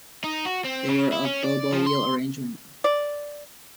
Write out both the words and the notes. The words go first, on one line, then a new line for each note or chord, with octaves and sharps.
They were of Bo-Bo wheel arrangement.
D#4
F#4
C4
C#3
E4
C#4
D5
F3
C6
D5